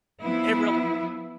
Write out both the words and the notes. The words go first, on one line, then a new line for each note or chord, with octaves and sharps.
it real
F3 B3 E4